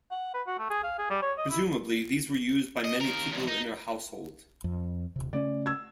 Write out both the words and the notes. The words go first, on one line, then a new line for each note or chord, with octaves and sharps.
Presumably these were used by many people in her household.
F#5
B4
F#4
A3
G#4
F5
G#4
G3
C#5
D#5
E4
D#5
D#2 A#4
E2 G#2
D#4
F2
D#1 C3
C#3 A3 C#4 D5
E6 G#6